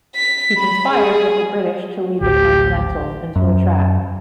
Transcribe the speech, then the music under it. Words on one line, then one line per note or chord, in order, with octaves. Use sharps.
He conspires with the British to lead the Continentals into a trap.
B6
B5
G#4
A1 D2 G4
F#2